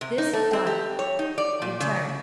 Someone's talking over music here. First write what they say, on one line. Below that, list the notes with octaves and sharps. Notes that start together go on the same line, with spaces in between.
This done, return.
C3
D#4
A3
C4
G4
C#5
D#4
D5
A#2
C#3